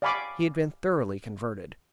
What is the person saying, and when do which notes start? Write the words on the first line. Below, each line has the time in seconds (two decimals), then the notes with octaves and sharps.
He had been thoroughly converted.
0.02 D5 F5 G#5 B5 C#6 D6